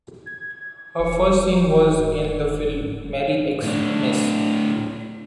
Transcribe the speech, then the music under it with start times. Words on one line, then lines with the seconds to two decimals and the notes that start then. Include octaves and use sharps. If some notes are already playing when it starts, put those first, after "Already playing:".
Her first scene was in the film "Merry X-Miss".
0.26 G#6
0.99 E1 C#7
1.18 F#4
1.98 G#2
3.63 A2 D4